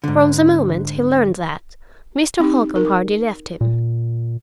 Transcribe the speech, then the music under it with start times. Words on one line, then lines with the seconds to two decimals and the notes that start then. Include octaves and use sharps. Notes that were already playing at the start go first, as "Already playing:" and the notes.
From the moment he learned that, Mr. Holcombe hardly left him.
0.04 G#2 D3
2.40 C4 D#4 G4
2.75 D#4 A#4
3.61 A#2